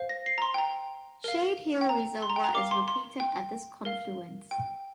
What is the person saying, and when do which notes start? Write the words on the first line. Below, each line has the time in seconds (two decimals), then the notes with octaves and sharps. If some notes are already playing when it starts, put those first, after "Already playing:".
Shadehill Reservoir is located at this confluence.
Already playing: C5 F5
0.09 A#6
0.26 C7
0.38 A#5
0.42 C6
0.54 G5
0.58 A#5
1.24 A#4 F5
1.81 G5
1.89 A#5
2.22 C6
2.30 A#5
2.36 G5
2.44 A#5
2.54 A#4 F5 D6
2.71 C6
2.88 C6
3.20 G5
3.85 A#4 F5
4.51 G5